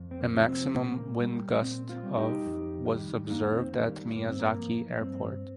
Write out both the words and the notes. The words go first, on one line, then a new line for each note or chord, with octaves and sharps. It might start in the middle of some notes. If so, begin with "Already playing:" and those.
A maximum wind gust of was observed at Miyazaki Airport.
Already playing: F2
C4
A#3
C3 F3
A#3
C4
A#2 A#3
C4
A#3
G3
A#2 C4
C4 F4
G3
D#4 G4
F2
D#3 G3
F2 A#3 D#4
C4
D#3 G3 A#3
G2 A#3
C4
A#3
F3
G2 C4